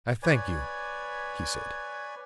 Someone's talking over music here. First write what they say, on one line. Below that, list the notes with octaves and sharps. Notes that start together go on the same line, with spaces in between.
"I thank you," he said.
B4 C#5 D5 G#5